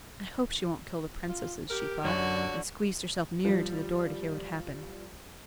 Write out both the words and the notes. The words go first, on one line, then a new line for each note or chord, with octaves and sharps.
"I hope she won't kill the Princesses," she thought, and squeezed herself nearer to the door to hear what happened.
F4
G4 A#4
F#2 D3 F#4 C#5
F3 G3